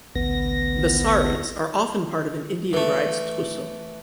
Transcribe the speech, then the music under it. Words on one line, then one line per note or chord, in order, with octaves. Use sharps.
The sarees are often part of an Indian bride's trousseau.
A1 D2 B3 A#6
E3 A3